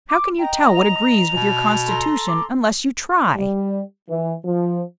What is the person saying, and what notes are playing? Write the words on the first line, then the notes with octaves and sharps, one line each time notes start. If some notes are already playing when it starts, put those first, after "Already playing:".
How can you tell what agrees with your constitution unless you try?
D6
D#5 G5 A#5
F7
B2
A4 A#5 C6
D6
G3
E3
F3